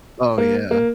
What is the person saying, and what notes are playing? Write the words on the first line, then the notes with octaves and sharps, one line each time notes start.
Oh, yeah.
A#3
A#3